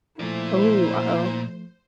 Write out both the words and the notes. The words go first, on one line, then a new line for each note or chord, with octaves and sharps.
Oh, uh-oh.
A#2 F3 A3 E4 C5 D5